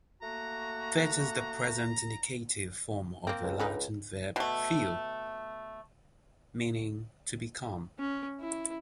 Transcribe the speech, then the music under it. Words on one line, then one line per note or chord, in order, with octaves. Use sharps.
'Fit' is the present indicative form of the Latin verb fio meaning 'to become'.
A3 A#3 F#4 A#5
A#3 C4
C#2
D3 D#4 B4
B2 A3
C#4
E4